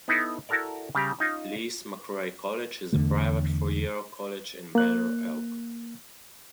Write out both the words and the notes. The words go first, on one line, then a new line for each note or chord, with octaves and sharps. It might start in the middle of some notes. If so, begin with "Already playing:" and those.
Lees-McRae College is a private four-year college in Banner Elk.
B3 D#4 E4 A4
E4 F#4 A4 A#4 D5
C#3 G3 G4 A#5
C#4 D#4 F4
E2 D3 A3
A#3 F#6